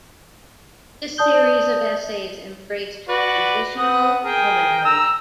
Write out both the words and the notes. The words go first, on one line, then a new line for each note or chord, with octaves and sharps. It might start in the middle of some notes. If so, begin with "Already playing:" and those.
This series of essays embraced traditional womanhood.
D5 A5 D#6 G6 G7
F#4 B4 D5
B3 F#5 D#6
G#4 A#4 G5
A#5 E6